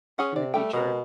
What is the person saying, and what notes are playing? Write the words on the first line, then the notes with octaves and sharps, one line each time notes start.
in the future,
C#4 G#4 F#5
C3 D5
G3 A3 G5
B2 G#3 A#4